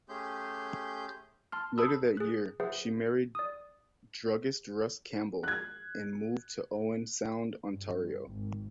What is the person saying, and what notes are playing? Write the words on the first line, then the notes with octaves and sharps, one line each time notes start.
Later that year, she married druggist Russ Campbell and moved to Owen Sound, Ontario.
A3 C#4 G4 G#4 C6 G6
A5 C6 F6
A5 B5 D#6 E6
G#4 F#6
G#4 B4 C5 E5 F#5
D5 D#6
F#6 G#6
G2
G#1